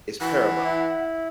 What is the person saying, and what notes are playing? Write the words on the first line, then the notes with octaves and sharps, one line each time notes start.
is paramount.
E3 F#5
E4